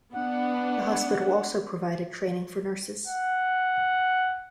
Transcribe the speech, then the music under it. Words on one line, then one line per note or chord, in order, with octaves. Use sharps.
The hospital also provided training for nurses.
B3 D4 F#5
F#5